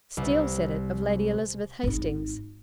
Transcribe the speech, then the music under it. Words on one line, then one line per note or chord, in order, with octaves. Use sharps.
'Steele said it of Lady Elizabeth Hastings.'
C2
G#1 D#4